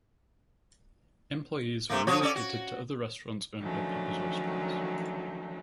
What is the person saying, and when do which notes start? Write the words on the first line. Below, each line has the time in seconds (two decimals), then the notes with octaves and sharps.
Employees were relocated to other restaurants owned by Pappas Restaurants.
1.90 C3 A3 A#3
2.07 F3 F#4 C#5
2.21 C#4 A4 D5
2.36 F#4
3.59 D3 D#3 F3 F#3 A3 C#4